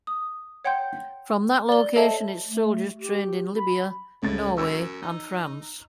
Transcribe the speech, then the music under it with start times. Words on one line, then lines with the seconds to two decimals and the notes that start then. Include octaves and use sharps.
From that location its soldiers trained in Libya, Norway, and France.
0.07 D#6
0.65 C#5 F#5 G5 C6 G6
1.69 D5 G7
1.96 A4 C5 C#5 D#5 E5 A5
2.46 A3
2.98 G4
3.57 B5
4.22 C#2 A2 A6
4.58 F#2 E6
5.02 D#4